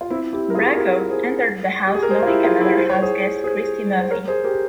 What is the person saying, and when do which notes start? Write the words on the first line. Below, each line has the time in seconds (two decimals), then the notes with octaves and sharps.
Bracco entered the house knowing another houseguest Christie Murphy.
0.01 F4
0.10 C4 E4
0.33 E4 G4
0.50 A#4
0.55 F4 G#4
0.66 G#4
0.77 G4 A#4
1.11 G#4 C5
1.87 G4
1.94 G#4
2.03 A#4
2.11 G#4 C5
2.23 F4
2.27 E4 G4
2.44 F4 G#4
2.61 E4 G4
2.78 C5
2.90 C#5
3.02 G#4 C5
3.44 G#4 C5
4.00 C5
4.11 A#4 C#5
4.28 G#4 C5
4.44 G4 A#4